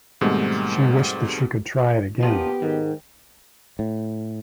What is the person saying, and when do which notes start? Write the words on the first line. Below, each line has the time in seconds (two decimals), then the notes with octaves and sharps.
She wished that she could try it again.
0.21 G#2 B2 D#3 G3 A3 C4
2.23 A#2 F3 B3 G4
2.62 G#2 D#3
3.79 A2